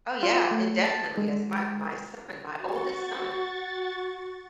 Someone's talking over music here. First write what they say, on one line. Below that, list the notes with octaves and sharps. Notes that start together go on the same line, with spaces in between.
Oh yeah, it definitely is, my my son my oldest son
F4
A3
A5
G#3
F#4 C#6 A6